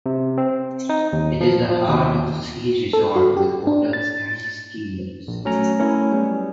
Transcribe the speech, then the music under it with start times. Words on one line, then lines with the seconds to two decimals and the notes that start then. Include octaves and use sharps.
It is the heart of the ski resort with hotels and ski lifts.
0.06 C3
0.38 C4
0.89 D#4
1.13 D#2
1.41 F3
1.70 F3
1.88 D#2
2.93 A4
3.16 F#4
3.37 G4
3.67 D4
3.93 A6
5.27 A#1
5.45 F#3 A3 C#4 A#5
5.79 A#3 C4 C#4 E4
6.11 F#3 G3 B3